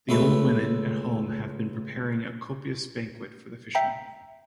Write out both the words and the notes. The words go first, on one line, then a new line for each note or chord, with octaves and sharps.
The old women at home have been preparing a copious banquet for the fishermen.
C#2 A3 A4 B4
E5 G5 A#5